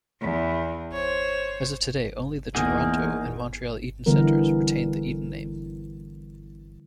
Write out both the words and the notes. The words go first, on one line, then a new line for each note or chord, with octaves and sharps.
As of today only the Toronto and Montreal Eaton Centres retain the Eaton name.
E2
C5 C#5
E2 A#3 D#4 G#4 F#5 G#5
D3 E3 G3 B3 A#4